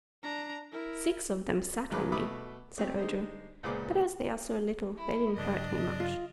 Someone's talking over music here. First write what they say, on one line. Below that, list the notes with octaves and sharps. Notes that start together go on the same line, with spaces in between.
"Six of them sat on me," said Ojo, "but as they are so little they didn't hurt me much."
D4 A#5
E4 A#4
G#1 D#2 F#3 G#3 B4 D6
B2 A3 E5 B5 D6 D#6
A3 C4 G4
D3 G#3 D#4 C5
C#2 A#2 B3 G#4 C5 D6
E4
G2 C#3 F#3 D4 D#5
F4